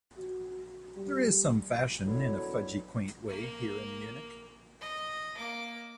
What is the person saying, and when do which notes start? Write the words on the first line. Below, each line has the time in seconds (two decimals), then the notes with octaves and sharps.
There is some fashion, in a fudgy quaint way, here in Munich.
0.18 F#4
0.97 G3
2.04 F#2 B2 D3 F#3 E4 C#5
3.29 A#3
4.81 D#5
5.36 A#3 D6